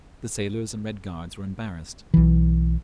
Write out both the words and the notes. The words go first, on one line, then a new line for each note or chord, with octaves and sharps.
The sailors and Red Guards were embarrassed.
B1 E3